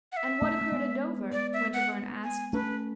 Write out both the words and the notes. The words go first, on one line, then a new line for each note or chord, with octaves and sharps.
"And what occurred at Dover?" Winterbourne asked.
F#5
E5
A3 C#4
A3
G#3 B3
D5
E5
F#5
G#5
A3 C#4 B4